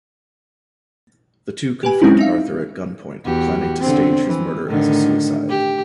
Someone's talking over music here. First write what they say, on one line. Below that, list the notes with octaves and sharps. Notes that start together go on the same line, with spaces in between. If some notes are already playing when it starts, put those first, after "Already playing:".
The two confront Arthur at gunpoint, planning to stage his murder as a suicide.
G4 B4 G#5
F#3 G#3 C4 C#4 D#4 E4
D#4 E5 F5
E2 F#4 G4
D3 C4
E3
A2 D3 D#3
G4